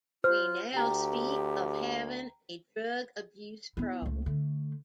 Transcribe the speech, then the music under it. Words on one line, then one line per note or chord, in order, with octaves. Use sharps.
We now speak of having a drug-abuse problem.
F4 C5 F6
D2 G4 G5 A#5
B3 E4
C#2 A3
D3 A3